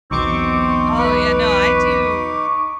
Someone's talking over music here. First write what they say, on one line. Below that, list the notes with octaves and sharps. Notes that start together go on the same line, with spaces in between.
Oh, yeah, no, I do
B1 E2 B2 C4 D#4 C#6 D6
B4